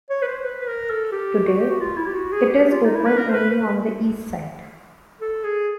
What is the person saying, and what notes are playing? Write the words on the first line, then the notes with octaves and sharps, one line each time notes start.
Today, it is open only on the east side.
C#5
B4
C5
B4
B4
A#4
A4
G4
F#4
G4
F#4
F4
E4
G4
F#4
G#4
G4
F4
D#4
E4
B4
A#4
C5
B4
B4
A4
G#4